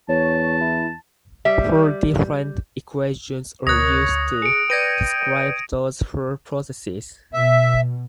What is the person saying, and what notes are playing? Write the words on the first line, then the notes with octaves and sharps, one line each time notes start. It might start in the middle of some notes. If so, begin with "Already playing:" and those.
Four different equations are used to describe those four processes.
E2 C#5 A5
E4
G3 E5
D2 A#4 C#5 D#6 F#6 A#6
G#4 C#7 D7
B4 D5 G5 G#6 A#6 D#7
B2 E5